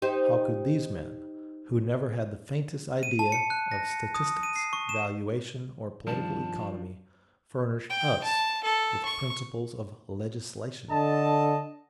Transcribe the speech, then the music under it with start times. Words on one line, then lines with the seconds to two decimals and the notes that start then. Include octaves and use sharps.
How could these men, who never had the faintest idea of statistics, valuation, or political economy, furnish us with principles of legislation?
0.02 D#4 G4 C5
3.03 D#7
3.19 A5
3.32 C#7
3.50 F#6
3.72 A#6
3.90 C#7
4.15 D#6
4.43 D#7
4.56 C7
4.73 C#6
4.89 E7
6.07 G2 C3 D#3 F3 D4 A5
7.90 G5
8.24 A5
8.64 A4
9.05 C#6
10.90 D3 A4 D#5 A5